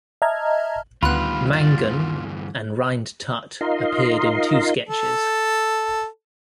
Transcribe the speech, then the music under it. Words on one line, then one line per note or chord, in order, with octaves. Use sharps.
Mangan and Rhind-Tutt appeared in two sketches.
D#5 E5 A5 A#5 F6 G#6
D2 D#3 G3 B3 D4 F4 B5 F#6
G2 D3 E3 D5
D#4 F4 A#4 D#5 C6
A4